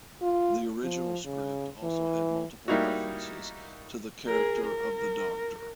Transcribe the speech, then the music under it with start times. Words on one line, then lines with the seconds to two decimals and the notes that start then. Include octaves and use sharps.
The original script also had multiple references to the character of the Doctor.
0.21 F4
0.83 F3
1.25 C#3
1.83 E3
2.68 G3 A#3 D#4 E4 F#4
4.27 G#4 A#4
4.64 A#4